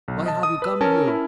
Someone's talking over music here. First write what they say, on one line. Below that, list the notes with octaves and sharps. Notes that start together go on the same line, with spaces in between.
Why have you come here?
B1
D#5 A5
D#6
B4 E6
C#4 A#4 A5
E4